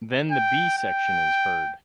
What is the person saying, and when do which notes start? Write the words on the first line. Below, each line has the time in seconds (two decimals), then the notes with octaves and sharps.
Then the B section is heard.
0.32 G5
0.78 G5